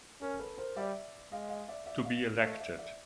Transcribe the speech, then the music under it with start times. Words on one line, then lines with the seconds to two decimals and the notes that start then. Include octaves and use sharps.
To be elected.
0.21 C#4 A#4
0.39 A4 B4
0.57 A#4 C5
0.76 G3 D5 E5
1.32 G#3 D#5 F5
1.49 D#5 F5
1.68 D5 E5
1.86 D5 E5
2.05 D#5 F5
2.41 A3 D#5 F5
2.60 D5 E5
2.78 D5 E5